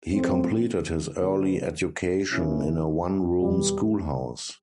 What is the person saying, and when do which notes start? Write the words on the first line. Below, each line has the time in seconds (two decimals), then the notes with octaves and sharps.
He completed his early education in a one-room schoolhouse.
0.10 A2 F3 A3 C4
1.19 D3 F#3 B3
2.29 B2 F#3 A#3 C#4 E4
3.38 E2 B2 G3